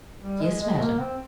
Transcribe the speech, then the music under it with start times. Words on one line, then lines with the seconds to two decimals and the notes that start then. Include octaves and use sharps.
"Yes, madam."
0.22 G3
0.41 G#3
0.61 G#3
0.81 A#3
1.00 C4